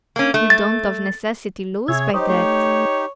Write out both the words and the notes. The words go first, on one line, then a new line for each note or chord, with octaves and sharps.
"You don't of necessity lose by that."
A#3 C#4
A3
A6
C3 G#4 C#5 E5 G#6
D#4 G4 C5 C#5 D#5
A3 C#5